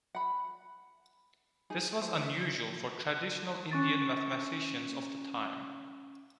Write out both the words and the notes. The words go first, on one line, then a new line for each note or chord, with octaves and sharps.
This was unusual for traditional Indian mathematicians of the time.
F#5 B5
D#4 G#4
C5
C#4 C#6 A6